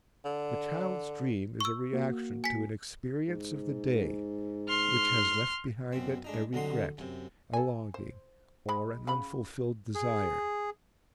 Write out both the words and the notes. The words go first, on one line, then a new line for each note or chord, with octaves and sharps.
The child's dream is a reaction to an experience of the day, which has left behind it a regret, a longing or an unfulfilled desire.
D3
C#6 E6
A#3 F#4
G#5 B6
G#2
C6 F6
F#2 B2 C4
G#3 D4 D#4
C2 D3 F#3 D#4 C6
F#2 C3
A4 G#5
C5
G#3 B5
C#3 F#5 B5
G#4